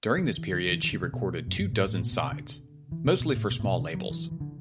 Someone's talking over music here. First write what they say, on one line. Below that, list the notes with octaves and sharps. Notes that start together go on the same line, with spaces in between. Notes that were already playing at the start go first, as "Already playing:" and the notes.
During this period she recorded two dozen sides, mostly for small labels.
D3
E3
E3
D3
E3
E3
D3
C3
B2
F#2
G2
A2
A2
B2
B2
C3
D3
E3
C3
B2
A2
B2
A2
B2
D3
F#3
E3
E3
D3